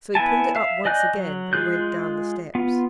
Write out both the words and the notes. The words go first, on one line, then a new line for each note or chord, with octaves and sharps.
So he pulled it up once again and went down the steps.
B3 E4 G#5 A5
E5 F5
D5 D#5 G#5 F#6 G6
F#3
G#3 F4 G#4 F#6 G6
B3 F4